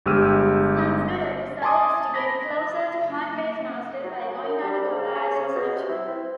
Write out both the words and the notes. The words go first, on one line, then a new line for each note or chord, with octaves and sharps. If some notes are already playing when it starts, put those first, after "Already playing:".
Sanjuro decides to get closer to Hanbei's master by going undercover as his henchman.
G1 G#3 G4 E6 F6 D#7
G#5 A5 C6 D6 D#6
B5 A#6 B6
F#3
C#4
F#2
G3
G#2
C#3
C#4
C#3
B2
C3
E4
C4